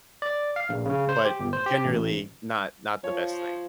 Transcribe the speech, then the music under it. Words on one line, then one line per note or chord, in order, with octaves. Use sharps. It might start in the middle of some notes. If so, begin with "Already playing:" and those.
but generally not not the best thing.
D5
F5
A#1
C#3
C5
G4
G1
C5
G4
A1
F3 C#5